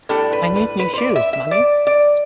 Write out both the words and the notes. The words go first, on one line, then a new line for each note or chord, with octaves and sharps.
I need new shoes, mommy!
A2 G3 D4 A4
B4
B4
B4
C5
D5
E5
E5
D5
D5